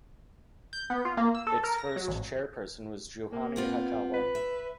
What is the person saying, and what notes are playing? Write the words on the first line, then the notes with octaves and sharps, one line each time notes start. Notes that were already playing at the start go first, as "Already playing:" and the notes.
Its first chairperson was Juhani Hakala.
G6
B3
F4
A#3
E6
A4
A#4
A#6
F#3
A1
A#3
B3 C4 F4
B4
E5